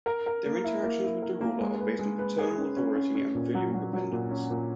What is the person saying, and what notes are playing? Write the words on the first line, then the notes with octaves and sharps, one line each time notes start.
Their interactions with the ruler are based on paternal authority and filial dependence.
A#4
A#4
A#3
E4
A#3
E4
A#4
A#3
G#3
B4
G#3
B4
G#4
C#4
C#4
C#4
C#4
A#2
F#3
F#3
F#3
A#2
C#4
A#2